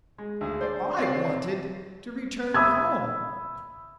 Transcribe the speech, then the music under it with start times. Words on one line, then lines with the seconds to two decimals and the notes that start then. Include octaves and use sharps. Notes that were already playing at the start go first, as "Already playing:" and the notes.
I wanted to return home.
0.18 G#3
0.41 D2 G#4
0.61 C5 D5
0.99 C4 C#5 D5 C7
2.54 E5 B5 D#6 E6 G#6